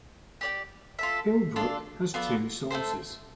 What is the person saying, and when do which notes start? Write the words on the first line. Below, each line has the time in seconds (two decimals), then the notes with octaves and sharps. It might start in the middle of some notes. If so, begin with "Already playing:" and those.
Pyl Brook has two sources.
0.41 G4 D5 G5
0.99 F4 A4 E5
1.56 D4 F4 A4 D5
2.14 B3 F4 A4 D5
2.71 A3 E4 A4 C5